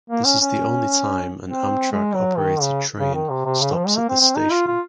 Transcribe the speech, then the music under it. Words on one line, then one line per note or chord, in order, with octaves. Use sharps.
This is the only time an Amtrak operated train stops at this station.
A#3
C#4
C#4
C4
G#3
F#3
D#3
C#3
C#3
D#3
C3
C3
C#3
F3
G#3
A#3
C4
C4
D#4
F4
F4